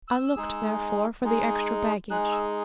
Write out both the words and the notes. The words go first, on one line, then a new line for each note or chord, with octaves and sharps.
I looked, therefore, for the extra baggage.
E6
G#3 D#4 G#4
G#3 D#4 G#4
G#3 D#4 G#4 F#6
E6